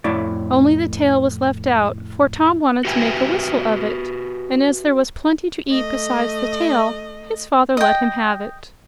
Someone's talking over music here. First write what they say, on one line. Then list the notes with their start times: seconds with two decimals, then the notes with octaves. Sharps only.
Only the tail was left out, for Tom wanted to make a whistle of it, and as there was plenty to eat besides the tail his father let him have it.
0.04 F2 A2 A3 E4 C#5 D5
2.85 F#4 G4 B4 E5 G5 G#5
5.69 A3 D#5
7.77 D#5 G5